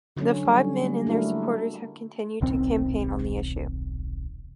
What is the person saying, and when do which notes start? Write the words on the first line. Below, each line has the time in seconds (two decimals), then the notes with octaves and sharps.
The five men and their supporters have continued to campaign on the issue.
0.17 D3 F#3 C#4
0.45 G3
0.80 G3 A3 A#3
1.07 A3 D4 E4 F#4 A#4
2.41 D#1 B1 D#3 C4